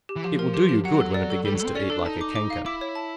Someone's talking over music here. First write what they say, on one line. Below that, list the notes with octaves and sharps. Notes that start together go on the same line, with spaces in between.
It will do you good when it begins to eat like a canker!
G4
E3
F3 G4
A#4
G4
G4
F#3 F#5
A4
D5
A4
G3 A4
F#3 A4
C4
C#4 D5
D4 A4
D#4 A5
D6
D6
F5
E4 D6
C#5
A5